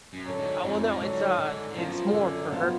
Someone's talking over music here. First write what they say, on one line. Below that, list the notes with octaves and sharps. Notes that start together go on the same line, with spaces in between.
Uh, well, no, it's, uh, it's more for her,
F#2
D3 F#3
G#2
F2 G#2
G#2
D3 F#3
G#2
G#2 D3
F#2 F3 B3 F4
D3
F3 B3 F4